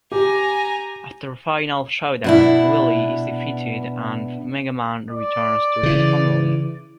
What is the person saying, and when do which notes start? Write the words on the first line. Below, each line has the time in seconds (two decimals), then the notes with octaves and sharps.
After a final showdown, Wily is defeated and Mega Man returns to his family.
0.12 G4 G#5 A#5
2.24 B2 D4 E4
5.10 D5
5.83 C#3 E3